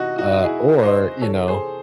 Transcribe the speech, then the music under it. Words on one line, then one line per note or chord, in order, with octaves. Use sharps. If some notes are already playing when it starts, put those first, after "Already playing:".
uh, or, you know,
Already playing: C3 E3 D#4 F#4
D#4 F#4
E4 G#4
C5 D#5
C3 E3 A4 C#5
G#4 C5